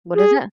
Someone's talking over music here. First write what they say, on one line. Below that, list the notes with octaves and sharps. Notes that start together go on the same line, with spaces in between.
What is it?
G#4